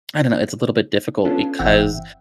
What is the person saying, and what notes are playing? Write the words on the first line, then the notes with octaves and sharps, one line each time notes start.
I don't know, it's a little bit difficult because
B3 C#4 D4 F4 A4
G1 E3 C4 E5 F#5 G5